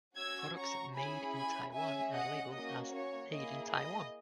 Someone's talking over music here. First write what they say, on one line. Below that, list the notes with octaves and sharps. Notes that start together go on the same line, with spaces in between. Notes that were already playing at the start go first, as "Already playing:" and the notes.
Products made in Taiwan are labeled as "Made in Taiwan".
C#4 F#4 E6 G#6
A#5 C#6
C#4 E4 G#4 G#5 B5
G#5 B5
C#4 G#4 E5 G#5
D#5 F#5
A#3 C#4 F#4 D#5
C#5
A#3 E4 G#4 D#5
D#5